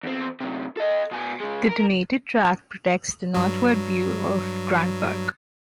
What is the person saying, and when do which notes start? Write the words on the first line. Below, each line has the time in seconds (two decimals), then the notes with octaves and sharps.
The donated tract protects the northward view of Grant Park.
0.03 E2 C4
0.41 F#2 C3
0.77 A4 D#5
1.11 B2 G#5
1.40 C#3 G#3
1.69 A#4
3.34 G2 F#3